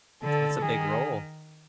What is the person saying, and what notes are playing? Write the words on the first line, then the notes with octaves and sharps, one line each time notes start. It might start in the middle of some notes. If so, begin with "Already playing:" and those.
That's a big role.
D3 A4
D#3 G#4